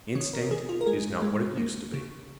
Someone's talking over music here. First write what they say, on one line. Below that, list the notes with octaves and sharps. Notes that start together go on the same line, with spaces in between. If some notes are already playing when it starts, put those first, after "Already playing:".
Instinct is not what it used to be.
D#3 C#5
A#4
D#3 G#4
F4
A#4
G#3 G#4
G#3
A#3
C#3